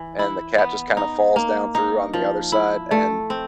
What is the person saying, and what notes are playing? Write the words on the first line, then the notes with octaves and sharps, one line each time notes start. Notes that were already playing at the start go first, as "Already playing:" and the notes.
and the cat just kind of falls down through on the other side, and
Already playing: E3
E4
B3
D#4
A#3
D#4
F3
E4
A3
C4